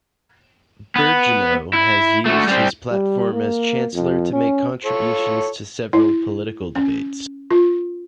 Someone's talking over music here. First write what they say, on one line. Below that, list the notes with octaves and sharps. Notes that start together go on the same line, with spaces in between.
Birgeneau has used his platform as Chancellor to make contributions to several political debates.
B3
E4
A3 F#4
G3 C4
G3
A#3
F2
C#4
F4 A4 C#5
E4
C#4
F4